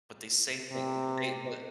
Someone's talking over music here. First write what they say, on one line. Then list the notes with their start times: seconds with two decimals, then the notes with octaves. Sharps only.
But they say thing but they, but
0.71 C3